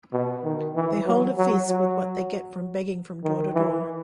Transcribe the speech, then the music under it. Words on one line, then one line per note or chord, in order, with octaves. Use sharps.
They hold a feast with what they get from begging from door to door.
B2
D#3
E3
F#3
F#3
F#3
D#3
E3